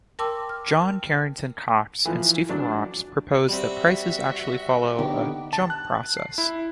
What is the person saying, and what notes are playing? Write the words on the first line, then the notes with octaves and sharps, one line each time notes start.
John Carrington Cox and Stephen Ross proposed that prices actually follow a 'jump process'.
A#4 G5 A5 C6 D6 E6
F6
E3 F3
F#3 D4
G3 C4 F#4 E5
D3 B3 D#4 G4
A5
F#6
C7
E4